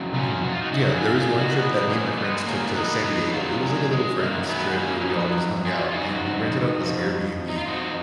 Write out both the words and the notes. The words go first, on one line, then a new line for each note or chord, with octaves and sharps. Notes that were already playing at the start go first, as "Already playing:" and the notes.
Mhm. Yeah. There is one trip that me and my friends took to San Diego. It was like a little friend's trip where we all just hung out, and we rented out this Airbnb.
Already playing: F2 C#3 F#3
C#4 F4
F#4
F4
D#4 F#4
F#2 D#3 F#3 D#4 F#4
F4 G#4
F4 G#4
D#4 F#4
A#2 F3 B3 D#4
D#4
A#3 C#4
G#3 B3
G#2 D#3 F#3 A#3 C#4
F4
B3 D#4
B3 D#4
G#2 F#3 C#4 F4
G#3
G#3
F#2 D#3 F#3 A#3
G#3 B3
B3
A#3 C#4
C#4
F2 C#3 F#3 B3 D#4
F4 G#4
F4
F2 C#3 F3 D#4 F#4
F2 F3
D#4
F4
F2 F3 D#4 F#4